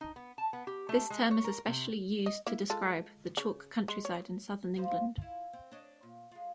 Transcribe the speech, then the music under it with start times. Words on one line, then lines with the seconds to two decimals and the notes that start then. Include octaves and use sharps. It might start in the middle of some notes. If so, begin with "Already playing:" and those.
This term is especially used to describe the chalk countryside in southern England.
0.01 D#4
0.16 B3
0.38 A5
0.53 B3
0.67 G4
0.89 A3
1.10 G#3
1.31 C#5
1.44 A#4
1.67 C3
2.26 D#5
2.47 A#3 E4
2.70 G#3 F4 A4
3.37 C#3
3.88 G#3
4.05 C#5
4.76 F3 F4 C5
5.18 E4 F4
5.53 C4
5.71 D4 C#5 D#5
6.03 A#2
6.31 G#3 F4